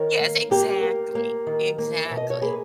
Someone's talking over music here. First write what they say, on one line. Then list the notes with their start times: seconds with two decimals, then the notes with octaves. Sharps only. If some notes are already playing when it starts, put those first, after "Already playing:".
Yes, exactly exactly,
Already playing: D#3 A#4 C#5
0.20 A#3
0.51 A#3 G4 A#4
0.83 A#3
1.15 A#3
1.47 D#3
1.78 A#3
2.06 E5
2.11 B2
2.17 D#5
2.30 C#5
2.42 A#3 G#4 B4